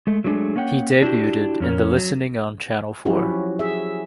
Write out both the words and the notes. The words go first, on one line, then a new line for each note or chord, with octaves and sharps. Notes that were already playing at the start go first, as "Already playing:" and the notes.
He debuted in The Listening on Channel Four.
G#3 A3
F#3 G#3 A3 D4 G#4
A#3 C#4 C#5 F#5 G5
D4 E4 F#4 G4
F2 C#4 A#4
F#3
F3 F#3 C#4 E4 F#4 G4
G#4 E5